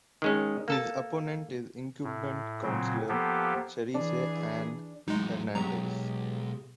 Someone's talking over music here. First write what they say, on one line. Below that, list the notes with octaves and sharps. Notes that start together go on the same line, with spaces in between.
His opponent is incumbent Councilor Charisse Anne Hernandez.
D#3 G#3 C#4
A#3 A4 A5
A2
A#2 C#3 F#3 C4
F3 A#3 B3 G4 A4
E3 D4 G#4
E2 A2 F#3 G#3 D#4
B1 B2 F#3 G#3 G4 A#5